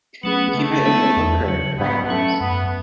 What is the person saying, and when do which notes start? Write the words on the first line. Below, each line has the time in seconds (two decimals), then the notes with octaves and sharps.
He might overlook her, perhaps!
0.23 F#3 A3 B3 C#4 G#4
0.54 C#3 A3
0.86 G#3 B3 E4
1.16 E2
1.47 C#3 F#3
1.78 G#2 B3
2.09 F#3 A3 C#4
2.40 F#2 B3